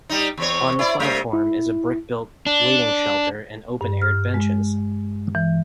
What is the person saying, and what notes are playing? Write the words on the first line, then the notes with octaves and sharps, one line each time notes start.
On the platform is a brick built waiting shelter and open aired benches.
G3 D#4
E2 C4 C#5
E4 D5
G2 C3 A3
E4
D4
G2
F6
G#3
E3